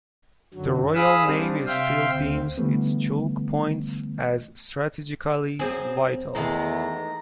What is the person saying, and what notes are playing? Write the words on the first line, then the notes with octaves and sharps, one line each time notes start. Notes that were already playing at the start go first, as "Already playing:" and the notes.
The Royal Navy still deems its choke points as strategically vital.
F#2 D3 F#3
G#4 F5 B5 D#6 E6
G3 C4 D4
C3 E5 F5 G5 C6
D2 C4
D3 E3 G3 A3 B3
F#2 C4 G#4
E2 D#3 G#3 A3 A#5